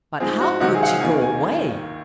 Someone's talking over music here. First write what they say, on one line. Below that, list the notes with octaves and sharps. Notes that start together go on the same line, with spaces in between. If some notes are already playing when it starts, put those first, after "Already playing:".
But how could he go away?
G#2 F3 C4 G#4
F#4
C#2 C3 D#3 F#3 C4 F#4
G#4
F#5
F5
D#2 D#3 A#3 G#5
G#5